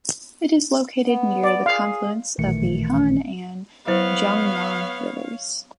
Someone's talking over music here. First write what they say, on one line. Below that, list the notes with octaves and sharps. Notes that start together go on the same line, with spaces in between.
It is located near the confluence of the Han and Jungnang Rivers.
B3
D5
G#4 F5
A1 A#2 D#3 E3 A3 C#7
F#3 B3 E4 C5 C#5 F5